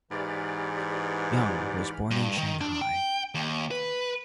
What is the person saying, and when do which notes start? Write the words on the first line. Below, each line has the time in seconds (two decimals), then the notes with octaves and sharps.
Young was born in Shanghai.
0.11 G#2 E3 G4 D5 B5 F6
2.11 G2
2.38 D#3
2.61 D4
2.81 G5
3.35 D#2
3.71 B4